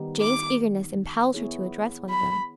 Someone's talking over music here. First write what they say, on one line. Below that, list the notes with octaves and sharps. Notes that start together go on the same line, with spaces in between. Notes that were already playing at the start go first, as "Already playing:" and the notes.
Jane's eagerness impelled her to address one of them.
Already playing: D#3 G3 B3 D#4 G4
D6
B3 E4 G#4 C#5
B5